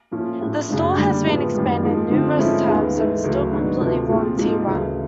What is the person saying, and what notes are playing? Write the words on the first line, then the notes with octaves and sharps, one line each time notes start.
The store has been expanded numerous times, and is still completely volunteer-run.
A#2 F3 A3 C#4 F4
A2 F3 A3
F#2 C#3 F#3 A#3 D4
D3 G3 A#3 D4
A2 F3 G#3 B3
F#2 D#3 G3 A#3
G#2 F3 G#3
D3 F3 A3 C4
G#2 F3 A3 C#4 E4
D#2 D#3 G#3 B3
G#2 E3 A3
D2 C#3 F#3
G#2 D#3 F#3 B3 D4
D2 C3 F3 A3
A#2 F3 G#3 C4 F4
G#2 F3 A#3
D2 C#3 E3